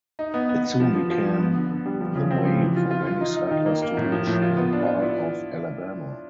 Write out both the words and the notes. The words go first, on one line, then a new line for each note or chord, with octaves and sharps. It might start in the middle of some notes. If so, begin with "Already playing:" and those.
It soon became the way for many settlers to reach that part of Alabama.
D#4
B3
B3
B3
F3
F3
F3
F3
B3
D3
D3
G3
F3
C#3
C4
F3
E3
F4
F4
F4
D#4
D#4
D#3
A#3
A#3
A2
F3
A2
F4
B3
D4
F4
E4